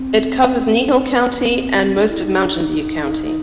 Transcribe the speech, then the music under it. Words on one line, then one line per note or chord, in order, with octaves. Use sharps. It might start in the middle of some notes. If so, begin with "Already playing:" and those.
It covers Kneehill County and most of Mountain View County.
Already playing: C4
C4
D4
E4
D#4
D4
D#4